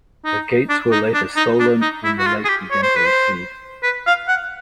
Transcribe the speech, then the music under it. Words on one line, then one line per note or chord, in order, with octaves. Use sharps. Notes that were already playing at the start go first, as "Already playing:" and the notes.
The gates were later stolen and the lake began to recede.
D#4
D4
D#4
D4
D#4
D4
D#4
E4
F#4
F4
G#4
G4
C#5
C5
B4
C5
B4
F5
F#5